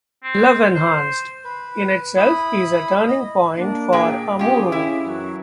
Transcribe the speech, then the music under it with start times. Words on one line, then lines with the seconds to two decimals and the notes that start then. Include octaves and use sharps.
"Love Enhanced" in itself is a turning point for Amuro.
0.23 C4
0.74 C5
1.44 B4
2.17 E4 B5 D#6
3.08 D#5
3.58 A#3 D4
3.93 A#2 G#4 G5
4.39 C#4 F4 G4 G#4
4.72 E4
5.05 F#2 E3 F#3